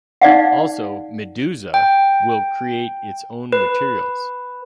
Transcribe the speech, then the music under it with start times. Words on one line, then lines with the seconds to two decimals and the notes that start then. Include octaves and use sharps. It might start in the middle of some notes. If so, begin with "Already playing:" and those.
Also, "Meduza" will create its own materials.
0.22 D#4 D5 F5 F#5
1.74 G5
3.52 B4